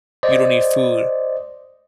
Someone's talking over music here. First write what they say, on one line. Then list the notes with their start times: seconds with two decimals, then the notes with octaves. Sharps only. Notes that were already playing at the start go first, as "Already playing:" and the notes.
You don't need food,
0.23 C5 D5 D#5